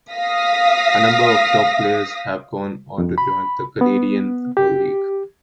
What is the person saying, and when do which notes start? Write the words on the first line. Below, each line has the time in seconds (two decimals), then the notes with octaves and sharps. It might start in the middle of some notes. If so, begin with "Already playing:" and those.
A number of top players have gone on to join the Canadian Football League.
0.12 F5 D#6 A#6 B6
2.98 F2
3.18 B5
3.81 B3
4.57 G4